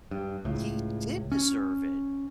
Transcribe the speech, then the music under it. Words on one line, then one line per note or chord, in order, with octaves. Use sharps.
He did deserve it.
G2
C#2 A2
C#4